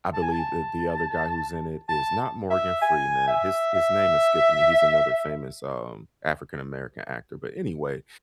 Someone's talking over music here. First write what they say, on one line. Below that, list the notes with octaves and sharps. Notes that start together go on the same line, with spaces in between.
I believe that the other guy who's in it is not Morgan Freeman. His his name is skipping me. He's another famous, um, African American actor. But, anyway,
A5
G#5
A5
A5
E5
G#5
E5
E5